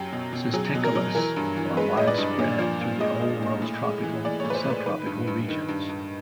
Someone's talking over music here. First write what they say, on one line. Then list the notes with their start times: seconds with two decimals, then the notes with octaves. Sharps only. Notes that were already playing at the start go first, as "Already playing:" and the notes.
Cisticolas are widespread through the Old World's tropical and sub-tropical regions.
Already playing: F#2 F#3 G4
0.13 B2
0.33 B2
0.53 F#3 G#4
0.75 B2
0.84 A#4
0.95 F#3
1.15 E3 A#4
1.36 G2
1.57 E3
1.77 G#3 B4
1.97 G#3 D#5
2.07 D5
2.18 G2
2.39 A#2
2.59 F3
2.81 A#2
3.00 G#3 D#5
3.21 G#3
3.42 A#2
3.62 A2
3.84 G#3
4.03 E3
4.25 E3 D5
4.40 A2 C#5
4.50 B4
4.55 C5
4.65 A2 B4
4.86 D#3 B4
5.07 G2
5.27 G2
5.48 D#3
5.69 G2
5.89 G2